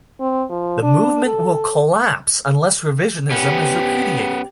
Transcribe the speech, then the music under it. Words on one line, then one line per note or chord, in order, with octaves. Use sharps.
The movement will collapse unless Revisionism is repudiated.
C4
F3
D4
A4
B3 C#4 G4